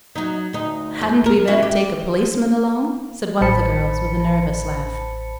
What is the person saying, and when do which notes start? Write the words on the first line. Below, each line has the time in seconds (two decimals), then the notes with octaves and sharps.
"HADN'T we better take a policeman along?" said one of the girls with a nervous laugh.
0.15 F#3 D#4
0.53 D2 D#4
1.01 F2
1.26 A#4
1.47 C#4 E4 F#4
1.63 G4
3.41 A1 C5 A5 B5 C#7